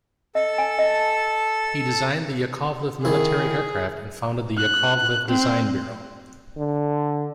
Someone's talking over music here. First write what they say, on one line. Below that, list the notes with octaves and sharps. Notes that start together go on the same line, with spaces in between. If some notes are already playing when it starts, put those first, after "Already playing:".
He designed the Yakovlev military aircraft and founded the Yakovlev Design Bureau.
A4 D#5 A5 E6
G#5
D#5
D#3 E4 G#4
F#6
C4
D3